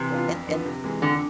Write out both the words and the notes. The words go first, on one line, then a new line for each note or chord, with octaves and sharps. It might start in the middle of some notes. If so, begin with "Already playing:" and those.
and and
Already playing: C3 E3
B3 D4 F4
F2
D3 F3 B3
C3
E3 G#3
F2 D3